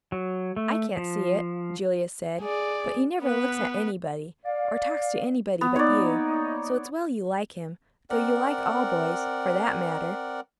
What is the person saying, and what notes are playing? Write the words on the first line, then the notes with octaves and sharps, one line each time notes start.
"I can't see it," Julia said, "but he never looks at anybody, or talks to anybody but you, so it's well you like him; though you like all boys, for that matter!"
F#3
A3
F3
G#4 D5
B3 B4
D5 F5
B3
A#3 D#4 C#5 D5
C4 A#4 D5 F#5